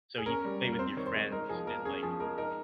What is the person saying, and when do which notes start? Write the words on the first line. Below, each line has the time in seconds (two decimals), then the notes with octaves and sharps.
So, you can play with your friends and, like,
0.18 G#4
0.26 C#4 A#4
0.45 G3
0.62 A#3
0.72 A#4
0.79 C4 C5
0.97 D#3 C#5
1.06 C5
1.14 G#3
1.32 D#4 A#4
1.49 F3 G#4
1.67 A#3 A#4
1.85 C#4 G#4
2.03 F3 G#4
2.20 G#3 A#4
2.38 D#4 A#4